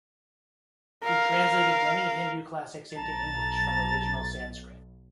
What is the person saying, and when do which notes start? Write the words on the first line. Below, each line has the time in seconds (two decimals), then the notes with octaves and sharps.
He translated many Hindu classics into English from original Sanskrit.
1.03 A#4 F5
2.96 B1 A5 A#5 A6